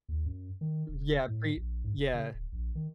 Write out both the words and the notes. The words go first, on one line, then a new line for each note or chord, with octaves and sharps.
N yeah. Pre yeah.
D#2
F#2
D#3
E1
A2
A#1
G#2
F1
C#3
D1
A#1
D#3